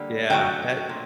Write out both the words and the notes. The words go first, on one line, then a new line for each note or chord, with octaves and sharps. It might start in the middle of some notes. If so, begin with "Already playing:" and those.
Yeah. That
Already playing: D3 G3 A#3
D3 F#3 A3 G5
A#2